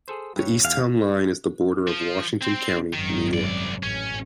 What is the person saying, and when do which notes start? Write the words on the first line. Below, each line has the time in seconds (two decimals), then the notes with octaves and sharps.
The east town line is the border of Washington County, New York.
0.08 G#4 A4 C5
0.36 G2 C#5
0.65 E2 F5
1.88 F3
2.41 C4 C5
2.93 G#1 F#2 D#3
3.33 C2 D5
3.83 A1 C#4